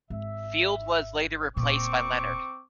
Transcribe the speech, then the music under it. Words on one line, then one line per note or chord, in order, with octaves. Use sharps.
Field was later replaced by Leonard.
G#1 E5
D#1 A#2 C4 C#6 D6